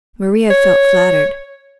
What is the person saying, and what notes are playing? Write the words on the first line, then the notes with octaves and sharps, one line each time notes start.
Maria felt flattered.
C#5